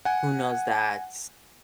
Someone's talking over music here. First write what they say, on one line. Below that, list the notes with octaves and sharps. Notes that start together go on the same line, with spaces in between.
who knows that
F#5 G#5